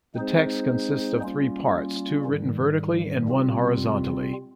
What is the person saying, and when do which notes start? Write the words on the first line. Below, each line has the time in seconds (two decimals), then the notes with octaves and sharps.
The text consists of three parts, two written vertically and one horizontally.
0.15 G#3 C4 D#4 G#4 C5
1.19 G3 A#3 C#4 F4
2.24 G#2 D#3 G3
3.28 C3 G3 C4 F4